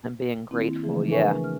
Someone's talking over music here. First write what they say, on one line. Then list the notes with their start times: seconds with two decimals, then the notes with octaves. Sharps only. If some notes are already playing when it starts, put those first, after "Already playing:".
And being grateful. Yeah.
0.51 D#3 A#3 C4 E4
0.83 C#3 E3 F3 A3 G#4
1.08 D4 A#4 B4 E5 G#5 C#6
1.44 F6